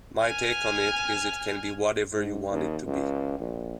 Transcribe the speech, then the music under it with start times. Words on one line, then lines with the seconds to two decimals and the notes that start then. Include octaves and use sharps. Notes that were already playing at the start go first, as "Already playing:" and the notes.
My take on it is it can be whatever you want it to be.
0.22 G#5 F6
2.16 G#2
2.51 D#2
2.86 C#2
3.40 A#1